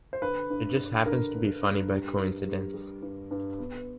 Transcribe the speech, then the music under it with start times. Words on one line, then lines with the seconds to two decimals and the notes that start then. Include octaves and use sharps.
It just happens to be funny by coincidence.
0.13 C5
0.22 D3 B4
0.50 G2
0.78 G2
1.06 D3 A#4
1.34 G2
1.62 G2
1.90 G3
2.18 G2
2.46 G3
2.74 G3
3.02 G2
3.31 G2
3.59 B3